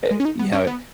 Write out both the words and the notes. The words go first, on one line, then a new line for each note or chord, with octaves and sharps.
uh, you know, it
G#3
C#4
D#4
B3
C#4
B3